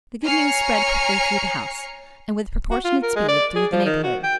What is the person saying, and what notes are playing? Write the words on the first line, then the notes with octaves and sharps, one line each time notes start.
The good news spread quickly through the house, and with proportionate speed through the neighbourhood.
C#5 G#5 A#5 F6 C7 C#7
F#4
F4
A#4
G#3
D5
G#4
F3
D#3
F#4
G5